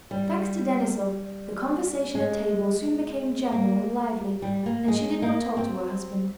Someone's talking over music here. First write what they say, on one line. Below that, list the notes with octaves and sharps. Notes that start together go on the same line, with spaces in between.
Thanks to Denisov the conversation at table soon became general and lively, and she did not talk to her husband.
G3
G#3
A#3
G3
A#3
G#3
A#3
C4